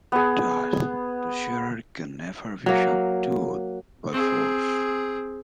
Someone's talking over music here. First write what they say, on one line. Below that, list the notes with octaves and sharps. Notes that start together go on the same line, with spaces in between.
Thus, the Sharers can never be subdued by force.
B3 G#4
F#3 A#3
C4 G#4